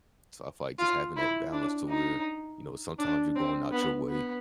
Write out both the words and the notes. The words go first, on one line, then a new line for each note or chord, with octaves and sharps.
So I feel like just having that balance to where, you know, sometimes you're going out your way
F4
E4
D4
D#4
D4
C4
B3
B3